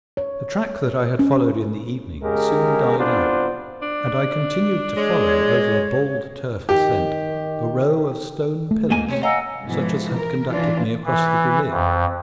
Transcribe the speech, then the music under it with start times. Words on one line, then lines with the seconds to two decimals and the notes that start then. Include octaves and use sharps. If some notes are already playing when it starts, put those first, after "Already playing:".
The track that I had followed in the evening soon died out, and I continued to follow over a bald turf ascent a row of stone pillars, such as had conducted me across the Goulet.
0.17 C#5
1.19 C#4
2.22 C#3 G#3 G4 A#4
2.98 C2 B3 C4 D4 F4 C5
3.82 D4
4.96 G#3 C#5
6.69 D#3 G4
8.71 A3
8.90 G#2 A#3 G#5
9.08 C3 C#4 C#5
9.23 D#5 F5 F#5 G#5 A#5 E6
9.64 G#2 B2 E3 F3
10.16 A#4
10.49 E3 D4 F4
11.05 E3
11.69 F2